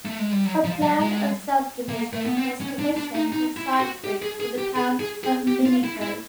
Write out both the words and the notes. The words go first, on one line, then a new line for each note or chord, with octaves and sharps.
A plan of subdivision was commissioned with side-streets for the 'Town of Mimico'.
A3
G#3
G3
F#3
F3
F#3
G#3
A#3
A3
B3
C4
C#4
D4
D4
D#4
D#4
E4
F#4
G4
G#4
G#4
G4
G#4
G#4
G#4
G4
F4
E4
E4